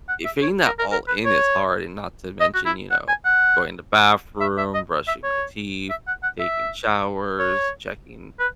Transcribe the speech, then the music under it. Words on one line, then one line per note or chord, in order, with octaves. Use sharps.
If being that all in is hard and not to mention, you know, going to bathroom, brushing my teeth, taking showers, checking,
F#5
E5
C#5
A#4
A#4
A#4
B4
C#5
D#5
F#4
E4
F#5
G#5
F#5
E5
E5
D#5
E5
C#5
E5
F#5
F#5
E5
C#5
B4